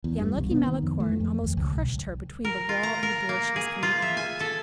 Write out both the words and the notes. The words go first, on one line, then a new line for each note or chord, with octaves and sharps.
The unlucky Malicorne almost crushed her between the wall and the door she was coming in at.
E2
G2
C2
B3
D#3
F2
A3
F2
D#2
C#2
B1
A#4
F4
A#5
A#4
A#3
G#4
F4
E5
G#5
A4